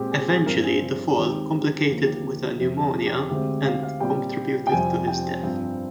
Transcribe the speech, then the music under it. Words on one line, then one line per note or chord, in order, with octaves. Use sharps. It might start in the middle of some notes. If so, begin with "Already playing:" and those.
Eventually the fall complicated with a pneumonia and contributed to his death.
Already playing: A#2 G#3 C4 G4
G#4
G#4
G2 F3 C4 A#4
G#4
D#2 D#3 G#3 C4 G4
G4
D#2 D3 F3 A#3 G#4
G4
F2 C3 F3 C4
G#4
G4
G#4
D2 D3 G#3 C4 G4
F5
F5
A#2 G3 C4 G5
G5
F2 C3 G3 C4 G#5
G5
G2 F3 C4